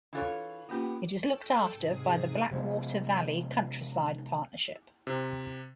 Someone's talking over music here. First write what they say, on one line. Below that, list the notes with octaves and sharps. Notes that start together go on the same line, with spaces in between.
It is looked after by the Blackwater Valley Countryside Partnership.
E3 D4 F4 A4 C#5
A#3 B3 C#4 F4 G4
A4 G5 A5
G#2 C3 G#4 D#6
C3 F3 G#3 B3
C3